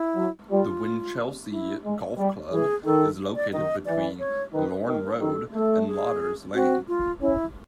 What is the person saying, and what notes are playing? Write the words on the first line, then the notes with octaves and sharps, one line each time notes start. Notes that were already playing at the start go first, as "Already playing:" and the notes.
The Winchelsea Golf Club is located between Lorne Road and Lauders Lane.
Already playing: E4
F#3
G3 F4
E4
G#3
G3
E3 G#4
D#3 A4
D5
D#3 D#5
E3 D5
C#5
D#3 B4
D#3 A#4
D#3 A4
A3 A4
G#4
C4 F#4
F4
C#4 E4